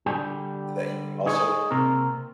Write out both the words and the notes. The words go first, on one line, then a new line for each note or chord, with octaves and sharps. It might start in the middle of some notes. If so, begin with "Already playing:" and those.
that you can also
D3 G3 G4
D#4 G#4 C#5
C3 A#3 C4 A#4